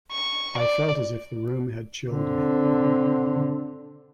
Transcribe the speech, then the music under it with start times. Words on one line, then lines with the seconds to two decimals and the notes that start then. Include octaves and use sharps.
I felt as if the room had chilled me.
0.11 C#6
0.57 D5
2.11 D3 C4